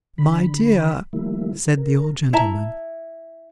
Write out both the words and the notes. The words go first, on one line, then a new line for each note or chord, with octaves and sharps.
'My dear,' said the old gentleman.
D3 B5
D#3 F3 G3 A3 A#3 E4
A#4
E4 E5 A5 A#5